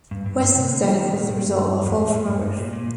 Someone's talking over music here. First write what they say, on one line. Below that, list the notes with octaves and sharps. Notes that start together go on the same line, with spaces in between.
Weston's death was the result of a fall from a roof.
G2
G2
A#2
C3
D3
F3
D#3
A#2
G2
F2
A2
F2
G2
G2
A#2
A#2